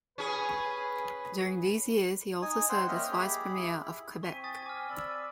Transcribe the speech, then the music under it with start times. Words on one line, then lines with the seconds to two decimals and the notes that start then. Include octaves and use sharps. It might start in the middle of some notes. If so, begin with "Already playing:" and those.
During these years he also served as Vice-Premier of Quebec.
0.18 C#4 G#4 B4
2.42 D#4 G#5 D#6
2.69 C5 F#5 G5 C6 E6
2.88 A#3 C#4 D#5 E5 G5 F6
3.12 G4 G#4 B5
3.56 E4
4.23 C4 C5 G#5 C#6 B6 D#7
4.44 D#6 A6
4.66 D6 F6
4.89 D5 B5 E6